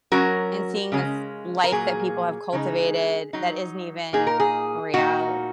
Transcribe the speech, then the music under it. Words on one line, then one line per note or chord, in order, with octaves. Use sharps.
and seeing this life that people have cultivated that isn't even real
F#3 C#4 F#4 A#4
C#3 G#3 C#4
A#4
A#2 F#3 A#3 G#4
C#3 G#3 D#4
F#3 D#4
A#2 A#3 D#4 G#4
A#4
G#4
A#2 A#3 D#4 F#4